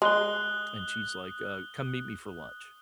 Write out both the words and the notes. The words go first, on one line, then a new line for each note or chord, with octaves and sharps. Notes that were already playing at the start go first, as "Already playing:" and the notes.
and she's like, uh, "Come meet me for lunch"
G#3 D#6 F#6 G7